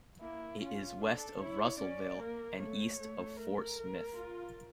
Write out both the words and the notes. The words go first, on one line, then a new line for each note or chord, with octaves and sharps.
It is west of Russellville and east of Fort Smith.
A#3 E4
C#4 F4
D4 A4
E4 C#5
C#4 D5
A#3 A#4
A3 C#5
A3
A#4
F4